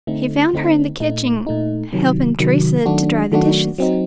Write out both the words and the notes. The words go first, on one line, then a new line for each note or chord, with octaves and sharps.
He found her in the kitchen helping Teresa to dry the dishes.
D3 A3 C4 D#4
D3 A3 C4 D#4
A#2 A3 D#4
A#2 A3 D#4
C3 D#3 F#3
C3 D#3 F#3
D#3 F#3 A3 D4 F#4
D#3 F#3 A3 D4 F#4
F#3 C4 D#4